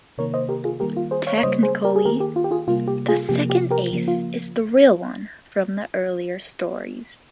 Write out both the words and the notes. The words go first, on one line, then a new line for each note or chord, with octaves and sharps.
Technically, the second Ace is the 'real' one from the earlier stories.
C3 D#3 A#3 A#4 C#5
C5 D#5
G4 A#4
F4 G#4
D#3 G3 A#3 G4 A#4
F4
G#4 C5
C#5 F5
C#5
C#3 G3 A#3 C5 D#5
G#4 C5
G4 A#4
G#4
D#3 A#3 G4 A#4
G4
F4
G4
F4 G#4
C3 G3 A#3 F4
G4
F4 G#4
C3 F3 A#3 G4
G4
G4 A#4
C#3 F3 A#3
F4